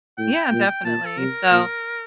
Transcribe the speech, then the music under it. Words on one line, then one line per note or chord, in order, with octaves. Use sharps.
Yeah, definitely, so.
A2 G5
A#2
A#2 A5
A4
C3 A#4
A#2